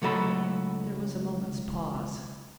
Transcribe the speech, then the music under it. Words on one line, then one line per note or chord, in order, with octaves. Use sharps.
There was a moment's pause.
C#2 F#3 A3 A4 B5